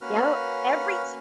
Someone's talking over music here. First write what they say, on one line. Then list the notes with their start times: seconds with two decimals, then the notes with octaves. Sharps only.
Yep, every
0.01 A#3 C#4 F#4 B4 F6